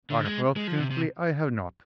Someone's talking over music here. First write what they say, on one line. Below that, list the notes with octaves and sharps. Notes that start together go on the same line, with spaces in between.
"Unfortunately, I have not."
D3
G#3
G#3
F3
C3
C3